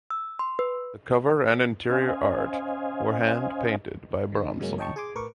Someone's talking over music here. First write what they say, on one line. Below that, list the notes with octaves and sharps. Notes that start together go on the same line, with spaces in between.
The cover and interior art were hand painted by Bronson.
E6
C6
B4
C#4 C5 D#5 F5 G#5
D3 D#4
G2 C#3 F#3 G#3 A#3 C#4
C#5 D#5 G5 A5 C#6
G#4 G#5 C6 D6
A2 A#4 B4 C#6 D6